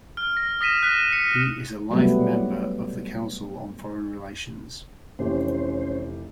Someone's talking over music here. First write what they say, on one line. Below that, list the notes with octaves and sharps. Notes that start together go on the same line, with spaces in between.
He is a life member of the Council on Foreign Relations.
F6
A#6
D#6 A#6 B6 D#7 E7
F#6 B6 D#7
C#7
F#3 G3 A3 B3
F1 E3 C#4 G4 C5